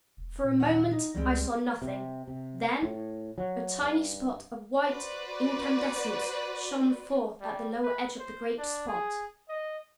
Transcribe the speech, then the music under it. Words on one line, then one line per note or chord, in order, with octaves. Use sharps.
For a moment I saw nothing--then a tiny spot of white incandescence shone forth at the lower edge of the great spot.
E1
A#2
D#2 F#5
D#4
C#2 G3 G#3 C4
C3
C3
A2
F#3
G2
F#4 B4 C5 D5
G3
B4
C5
D4
G#4
D#5